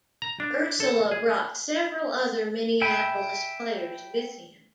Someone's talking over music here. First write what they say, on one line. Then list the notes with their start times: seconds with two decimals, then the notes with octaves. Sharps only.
Ursella brought several other Minneapolis players with him.
0.22 A#5
0.40 D4
0.80 A4
1.11 G#4
2.81 E5 G5 G#5 B5